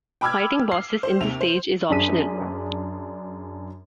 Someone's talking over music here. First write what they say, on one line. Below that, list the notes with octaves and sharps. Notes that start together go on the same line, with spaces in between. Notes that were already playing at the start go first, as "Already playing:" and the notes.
Fighting bosses in this stage is optional.
G5 B5 D6 E6 F6 G#6
C7
C5
D#2 C3 F7
C5
F#2 D4 G#4 B6 D#7